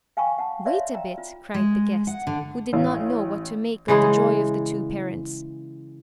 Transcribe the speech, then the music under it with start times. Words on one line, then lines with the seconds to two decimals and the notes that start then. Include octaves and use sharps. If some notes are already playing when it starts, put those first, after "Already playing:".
"Wait a bit!" cried the guest, who did not know what to make of the joy of the two parents.
0.17 F5 G5 G#5 B5 C#6
0.38 F#5 A5
0.65 C#5 D5 E5 F5 C6
0.95 G5 A#5
1.18 F4
1.54 G#3
2.07 F#5
2.27 D3
2.73 A1 F5
3.88 C#3 E3 G#3